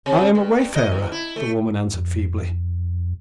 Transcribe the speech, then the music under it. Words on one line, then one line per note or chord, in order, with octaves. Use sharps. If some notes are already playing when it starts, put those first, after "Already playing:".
"I am a wayfarer," the woman answered feebly.
C3
G2
D#5
E2
E4
A3
F2